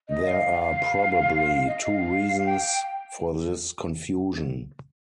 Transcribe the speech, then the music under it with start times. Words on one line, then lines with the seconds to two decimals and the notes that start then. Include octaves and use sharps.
There are probably two reasons for this confusion.
0.09 D#5
0.26 F5
1.67 D#5
1.82 F5
2.46 G5